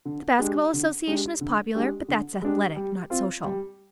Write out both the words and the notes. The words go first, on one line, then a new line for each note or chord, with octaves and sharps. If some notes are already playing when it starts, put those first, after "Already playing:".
The Basket Ball Association is popular; but that's athletic, not social.
D3
G#3 D4 G4
D3
G#3 D4 G4
D3
G#3 D4 G4
D3
G#3 D4 G4
G3
C4 F4
G3